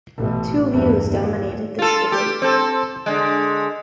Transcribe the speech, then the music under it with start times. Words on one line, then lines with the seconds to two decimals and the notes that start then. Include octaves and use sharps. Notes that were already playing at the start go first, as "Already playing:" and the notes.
Two views dominated this debate.
0.17 A1 B2
0.72 E2 G2
1.09 D#2
1.79 F4 A4
2.12 G4
2.42 C4 A4
3.06 D3 G#3